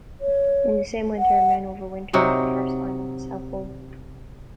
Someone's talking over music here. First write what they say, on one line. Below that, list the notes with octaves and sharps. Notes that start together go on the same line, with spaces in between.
In the same winter, men overwintered for the first time at the South Pole.
C#5
F#5
C3 F#3 D#4